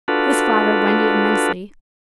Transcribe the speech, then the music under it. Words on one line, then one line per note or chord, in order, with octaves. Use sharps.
This flattered Wendy immensely.
D4 F4 F#4 A4 B4